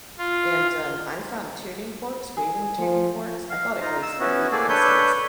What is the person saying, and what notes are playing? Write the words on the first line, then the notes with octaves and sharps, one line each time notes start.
And, um, I found tuning forks, weighting tuning forks, I thought it was hippie nonsense,
F4
G#4
F3
F5
D#4 F4 A#5
E6
B3 C#4 E4 F#4
A3 A#3 G#4 A4 D5
D4 A4 B4 C#5 G6